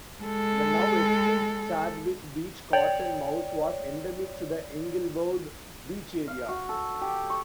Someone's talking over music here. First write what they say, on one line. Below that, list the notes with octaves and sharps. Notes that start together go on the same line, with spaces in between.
The now extinct Chadwick Beach cotton mouse was endemic to the Englewood Beach area.
G#3 A4
C#5 D5 G5
F5
F#4
A4
G4
C#6